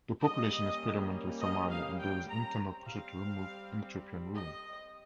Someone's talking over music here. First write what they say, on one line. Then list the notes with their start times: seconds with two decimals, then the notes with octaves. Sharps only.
The population is predominantly Somali, and there is internal pressure to remove Ethiopian rule.
0.22 G3 A#3 C#4 D#5
1.40 D#5
1.70 F5
1.99 G5
2.29 A#5
2.58 G3 C4
2.88 F5
4.35 D#5